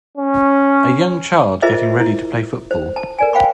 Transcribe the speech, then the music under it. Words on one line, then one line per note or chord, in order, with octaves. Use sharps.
A young child getting ready to play football.
C#4
F4 G#4 A#4 C5 D#5 E5
E4
C5
A5
A#4 D5 G#5
C5 F5 G5 B5 C#6